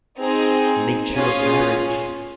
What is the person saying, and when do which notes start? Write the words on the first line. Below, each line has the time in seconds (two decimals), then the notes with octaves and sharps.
Nature of marriage.
0.19 C4 D#4 G#4 A#5
1.13 C#4 F4 G#4 G#5